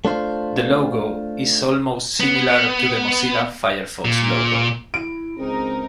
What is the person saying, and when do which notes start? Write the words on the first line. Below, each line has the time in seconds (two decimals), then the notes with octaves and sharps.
The logo is almost similar to the Mozilla Firefox logo.
0.05 A3 D4 F4 C5
2.20 B3
4.05 A#2
4.94 E4 D7
5.39 C#2 C4 D#4 G#4 A#4